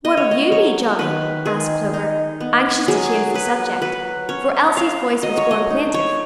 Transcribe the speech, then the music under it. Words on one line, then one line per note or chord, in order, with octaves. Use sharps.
"What'll you be, Johnnie?" asked Clover, anxious to change the subject, for Elsie's voice was growing plaintive.
B3 D#5
C#5
D#5
F#3 C#5
D#3 B4
D#3 G#4
D#4
B3
F#3 G#4
F#3 B4
F#3 B4
C#4 C#5
C#4 F5
F#3 D#5
C#5
D#5
D#4
C#5